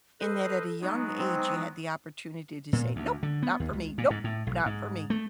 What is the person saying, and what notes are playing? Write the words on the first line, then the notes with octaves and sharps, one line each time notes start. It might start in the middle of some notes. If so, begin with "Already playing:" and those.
in that at a young age, you had the opportunity to say, "Nope, not for me, nope, not for me."
A4 B4 C5 D#5
F#3 G#3 B3 D#4
C4
A#2
D2
D3
B3
D#2
C#2
A#2
G#2
A2
B1
G#2
A3